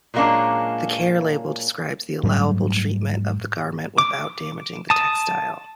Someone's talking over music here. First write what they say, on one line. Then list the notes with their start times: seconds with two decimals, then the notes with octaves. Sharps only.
The care label describes the allowable treatment of the garment without damaging the textile.
0.14 A#2 F#3 G#3 A#3 C#4 D4
2.23 G#2 F#3 G3 A3
3.98 D6
4.90 A5 D#6